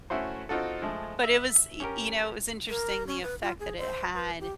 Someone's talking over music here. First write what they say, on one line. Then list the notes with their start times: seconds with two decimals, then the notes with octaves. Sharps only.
But it was, y you know, it was interesting the effect that it had
0.10 A3 C#4 E4 F#4 C5
0.49 C4 D#4 F4 F#4 A4
0.82 F3 G#3 A3
1.23 E5
1.80 C#4 G4 A#4
2.70 A#4
3.07 C#4
3.23 B4
3.42 F4
3.60 G#4
3.78 C5
4.14 B4
4.40 G4